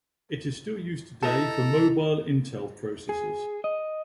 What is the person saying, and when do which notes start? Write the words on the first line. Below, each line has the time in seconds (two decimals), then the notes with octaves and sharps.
It is still used today for mobile Intel processors.
1.23 E4 A4 D#5 A5 A#5
3.09 G#4
3.64 D#5